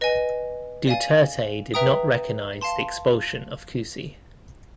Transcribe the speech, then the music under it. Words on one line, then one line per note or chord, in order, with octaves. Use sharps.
Duterte did not recognize the expulsion of Cusi.
B4 D#5 G#5
D5 F5 G#5
B4 E5 G5 A#5 D#6
F5 A5 C6